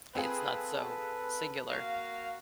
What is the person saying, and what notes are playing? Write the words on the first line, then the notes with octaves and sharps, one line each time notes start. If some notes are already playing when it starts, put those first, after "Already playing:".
It's not so singular.
C4 F4 G#4 A4 B4
A#3 F#4 F5